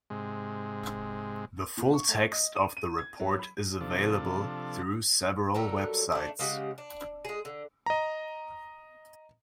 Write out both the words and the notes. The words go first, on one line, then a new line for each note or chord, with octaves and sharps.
The full text of the report is available through several websites.
G#2 C3 G#3
A#2
C#6
A3
D#5
D#7
D#7
G#6
F#3
B5
C3 F3 D4 A4
F#3 G3 A4 A#4
A3 D4
C#3 G#3 G4 F#5
D4
G#3 G#4
D3
D#5 A#5